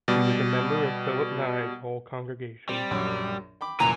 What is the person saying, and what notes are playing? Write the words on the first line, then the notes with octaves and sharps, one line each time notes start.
He was a member of Philip Nye's Hull congregation.
B2 G3 D5
G3 C4
A#1 F#2 F#3
G5 B5 D6
C2 F#2 A#2 B4 G#5 A#5